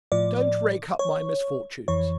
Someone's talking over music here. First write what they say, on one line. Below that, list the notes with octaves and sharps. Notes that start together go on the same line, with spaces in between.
"Don't rake up my misfortunes."
A2 F3 D5
C#5
F2 E3 C#5